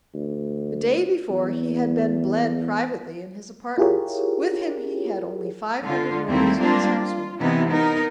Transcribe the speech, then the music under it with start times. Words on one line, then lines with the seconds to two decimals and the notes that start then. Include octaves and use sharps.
The day before he had been bled privately in his apartments; with him he had only five hundred nobles of his household.
0.14 D2
1.30 E2
3.78 E4 F4 G4 G#4 A#4 C#5
5.84 D3 F4
6.27 D#2 G3 A3 A#3 C4 E4
6.60 G3 G#3 A#3 C4 D4 F4
6.97 F4
7.39 C3 E3 B3 D#4 E4
7.70 B3 D#4 A#4